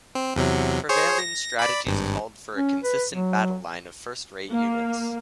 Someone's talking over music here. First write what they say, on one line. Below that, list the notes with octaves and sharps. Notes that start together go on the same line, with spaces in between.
Prevailing strategies called for a consistent battle line of first-rate units.
C4
E2 C3 F#3
G#4 C5 C#5
A#6
D5 B5
G#1 G2
C#4
B4
F#3
A#3